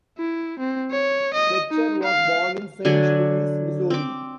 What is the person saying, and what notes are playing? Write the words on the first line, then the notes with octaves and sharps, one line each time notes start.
Fletcher was born in Saint Louis, Missouri.
E4
C4
C#5
D#5
D#4
F5
D3 F#3 D4 G#5
C4 D6